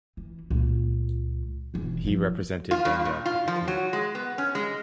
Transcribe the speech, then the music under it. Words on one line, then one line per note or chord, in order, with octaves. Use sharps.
He represented Bengal cricket team.
E3
C#2 A#2
E1 E3
F3 E4
F4
G2
A#2
F4
F3
F#3
G#3
B3
C#4
G#3